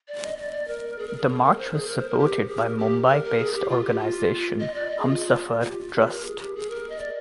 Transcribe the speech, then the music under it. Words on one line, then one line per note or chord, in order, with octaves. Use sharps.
The march was supported by Mumbai based organisation Humsafar Trust.
D5
D#5
D5
D5
A#4
G#4
A#4
G#4
G#4
A#4
C5
G#4
A#4
C5
A#4
G4
G#4
A#4
G4
A#4
A#4
G#4
G4
F4
G4
F4
D#5
D5
D#5
G#4
F4
G4
F4
G4
A#4
G#4
G4
G#4
A#4
D#5
D5